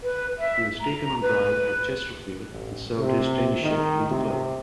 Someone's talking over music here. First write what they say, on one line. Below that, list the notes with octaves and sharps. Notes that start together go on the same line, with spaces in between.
He was taken on trial at Chesterfield and served his traineeship with the club.
B4
E5
A#5
B4
A1
C3
D#3
C3